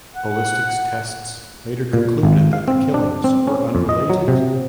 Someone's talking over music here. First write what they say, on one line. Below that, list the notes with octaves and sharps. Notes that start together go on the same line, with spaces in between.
Ballistics tests later concluded that the killings were unrelated.
F#5
A#2
G#1
F5
C4
D4
C4
C#4
F2
D#5
F#3
C3